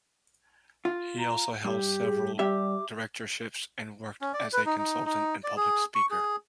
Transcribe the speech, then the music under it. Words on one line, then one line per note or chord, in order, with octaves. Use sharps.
He also held several directorships, and worked as a consultant and public speaker.
F4
A#5
G2 G4
G#4
G3 G4 E5 D6
C#4
D5
B4
D#4
D#4
D#4
D5
G#4
C#6
G#4